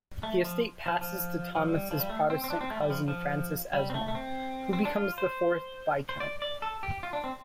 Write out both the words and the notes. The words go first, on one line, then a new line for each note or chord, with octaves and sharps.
The estate passes to Thomas's Protestant cousin Francis Esmond, who becomes the fourth viscount.
A3
F3
F3
F3
F3
G3
F3
G3
A3
C4
C4
D4
C4
A3
G3
F3
F3
G3
C4
A3
A3
C4
C4
D4
F4
C5
C5
D5
D5
A4
G4
F4
D4
C4